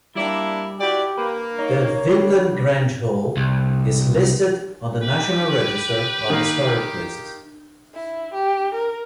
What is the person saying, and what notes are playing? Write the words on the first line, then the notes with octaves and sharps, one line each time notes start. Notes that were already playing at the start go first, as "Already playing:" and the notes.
The Vinland Grange Hall is listed on the National Register of Historic Places.
G3 A#3 D4 E4 D5
E4 F#4 G4 D5
A#3 B4
D#4 C#5
D3 G3
C2
G4 B4
D#3 A#3
E4
G4
A#4